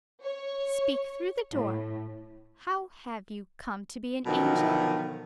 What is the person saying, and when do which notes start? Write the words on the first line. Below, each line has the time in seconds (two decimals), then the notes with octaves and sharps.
Speak through the door. How have you come to be an angel?
0.22 C#5
1.52 A2
4.26 B2 D3 D#3 F3 F#3